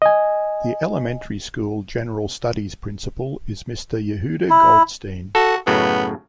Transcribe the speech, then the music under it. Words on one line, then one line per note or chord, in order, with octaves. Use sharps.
The elementary school general studies principal is Mr. Yehuda Goldstein.
D#5 G#5
E4
F#4 A4
F#2 A2 C#3 B3